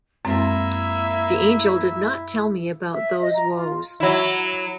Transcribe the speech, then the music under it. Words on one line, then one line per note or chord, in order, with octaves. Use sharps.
The angel did not tell me about those woes.
F#2 G#3 A#3 C4 E4 E5
E5
D#5
A#5
F4
F#3 E4